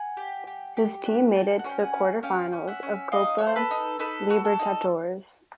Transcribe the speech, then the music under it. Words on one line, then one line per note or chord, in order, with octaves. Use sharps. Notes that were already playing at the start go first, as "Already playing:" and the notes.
His team made it to the quarter finals of Copa Libertadores.
Already playing: F#5 G#5
G4
G4
G4
D4
F#4 G5 A5
F#5
C#4 G5
F#5 G#5
C#4
C#4 F5 G5
C#4
E5 F#5
C#4
D#4 D#5 F5
A4 C#5
C5
A4 B4
D#4
D#4 A4 B4
F#4
A4
D#4